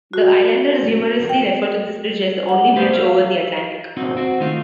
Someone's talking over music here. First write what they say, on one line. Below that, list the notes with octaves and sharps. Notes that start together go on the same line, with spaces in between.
The islanders humorously refer to this bridge as the only bridge over the Atlantic.
F#4
G5
F#5
A3 G4 G#4 B4 C5 F5
E5 F5
C4 D#4 F#4
C4 F#4
D#3 A3 D#4 F4